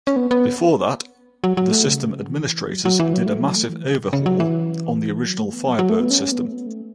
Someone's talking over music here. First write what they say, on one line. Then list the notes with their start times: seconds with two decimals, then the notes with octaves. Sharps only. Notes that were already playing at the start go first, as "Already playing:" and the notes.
Before that, the system administrators did a massive overhaul on the original Firebird system.
0.07 C#4
0.16 B3
0.31 B3
1.44 F#3
1.57 F#3
1.71 A3
1.86 C#3
2.29 E3
2.71 F#3
2.85 F#3
2.99 E3
3.13 F#3
3.26 A3
3.41 F#3
3.56 A3
3.69 E3
3.85 C#3
4.13 C#3
4.26 F#3
4.40 E3
5.26 F#3
5.39 A3
5.53 B3
5.68 F#3
5.79 F#3
5.90 A3
6.00 B3
6.10 C#4
6.32 B3
6.45 A3
6.53 B3
6.66 A3